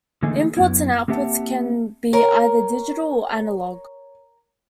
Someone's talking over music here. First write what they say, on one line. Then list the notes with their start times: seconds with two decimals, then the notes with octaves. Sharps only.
Inputs and outputs can be either digital or analog.
0.23 D3 E3 A3 A#3 D#4 G#4
0.57 F#2 B3 E4
1.08 A#3 C4 G4 E5 F#5 A5
2.13 A#4 C#5